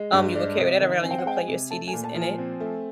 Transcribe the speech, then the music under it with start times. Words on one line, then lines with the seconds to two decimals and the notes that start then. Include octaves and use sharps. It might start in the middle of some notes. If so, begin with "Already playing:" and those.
um, you would carry that around and you could play your CDs in it,
Already playing: G#3
0.13 G2
0.35 G#3 D5
0.58 C3 D#5
0.80 D#3
1.03 C4 G#5
1.11 G5
1.19 F#5
1.26 G#3 G5
1.36 G#5
1.48 C3
1.71 A3 A5
1.88 G#5
1.93 A#2
2.04 A5
2.15 F3
2.21 G#5
2.38 C4
2.60 A3